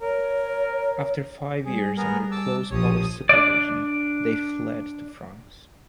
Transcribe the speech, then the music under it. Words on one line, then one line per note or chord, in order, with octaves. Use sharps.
After five years under close police supervision, they fled to France.
A#4 C#5
G3 G#4
B3 G#4 A#4
A5 D6 E6
A#1 F3 G4 C#5 D#6
D4 D5